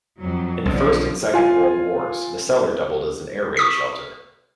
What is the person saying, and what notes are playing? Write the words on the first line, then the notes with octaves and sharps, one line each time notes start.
In the First and Second World Wars the cellar doubled as an air-raid shelter.
F2 F#3
B1 D3 F3
F4 G#5
C#6 D#6 B6